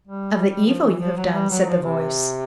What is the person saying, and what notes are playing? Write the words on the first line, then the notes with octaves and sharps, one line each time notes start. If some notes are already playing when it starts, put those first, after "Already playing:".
"Of the evil you have done," said the voice.
G3
G3
G3
F3
E3
F3
F#3
G3
F#3
F3
C3